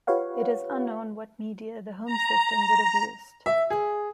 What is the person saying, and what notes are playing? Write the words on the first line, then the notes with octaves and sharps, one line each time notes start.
It is unknown what media the home system would have used.
F4 G4 B4 C#5 F5 F#5
A#5
E5
G#4